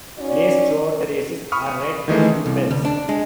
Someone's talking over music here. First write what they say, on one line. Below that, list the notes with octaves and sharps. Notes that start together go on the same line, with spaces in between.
Placed throughout the races are red and blue bells.
C#4 D#4 F#4 D5
B5 C#6 D#6 F6
D#3 E3 G#3 A3
C2
D2
D4
G#3